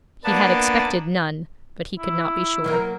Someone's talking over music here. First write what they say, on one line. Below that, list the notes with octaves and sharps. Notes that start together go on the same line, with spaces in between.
He had expected none, but he could not be sure.
A#3 B3 D4 A5
E4
F#3 A#3 A#4